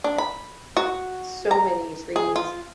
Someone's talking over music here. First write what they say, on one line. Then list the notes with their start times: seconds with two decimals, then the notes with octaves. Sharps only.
so many trees,
0.04 D4
0.18 B5
0.77 F#4
1.51 A#5
2.16 G#4
2.36 F4